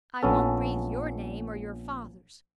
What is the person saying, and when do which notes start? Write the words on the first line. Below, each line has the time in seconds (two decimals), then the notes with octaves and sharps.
I won't breathe your name or your father's.
0.23 A#1 B3 C#4 A4